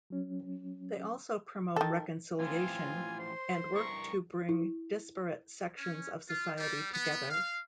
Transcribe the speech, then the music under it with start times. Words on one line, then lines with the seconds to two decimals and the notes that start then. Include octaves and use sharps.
They also promote reconciliation and work to bring disparate sections of society together.
0.10 F#3 C#4
1.76 D#3 E3 A4 A6
2.39 A2 E3 F3 C4 F4 G#5
3.20 C5 C6
3.75 G2 E4 A#4 C#6
4.49 E4
5.78 C#4
6.28 F4
6.57 G3
6.92 B3
7.29 F5